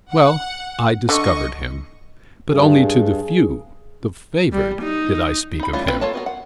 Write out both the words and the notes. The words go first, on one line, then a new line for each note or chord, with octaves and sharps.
Well, I discovered him, but only to the few, the favoured, did I speak of him.
F#5
D3 D#5 C#6
G2 G#4
G3
D#4
D#4 B5
E3 G3 A3 C#4 F4
C4 D4 E4 F4 B4
A#3 F4 A4 C#5 A5
B3 F#4 A#4
F#5